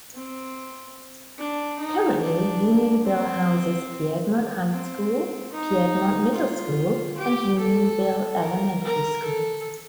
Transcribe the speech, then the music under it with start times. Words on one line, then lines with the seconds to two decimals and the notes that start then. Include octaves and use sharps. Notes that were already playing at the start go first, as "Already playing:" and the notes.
Currently, Unionville houses Piedmont High School, Piedmont Middle School, and Unionville Elementary School.
0.14 C4
1.38 D4
1.80 D#4
2.21 D4
3.04 C4
4.69 C4
5.52 D#4
6.34 F4
7.17 G4
7.59 A4
8.42 A#4
8.83 A#4
9.24 A4